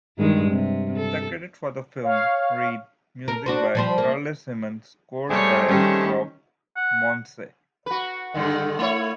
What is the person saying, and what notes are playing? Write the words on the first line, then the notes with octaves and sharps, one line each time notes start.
The credits for the film read "music by Carly Simon, scored by Rob Mounsey".
G2 D#3 G#3
C3
A4
C#5 F5
A#4
D4 F#4 C5
F3 G3 C5
A#3
G3 A3 C4 G#4 C#5
D#3 G3 C#4 G4
F#5
F#4 B4
G2 D3 D#3
A3 E4 C#5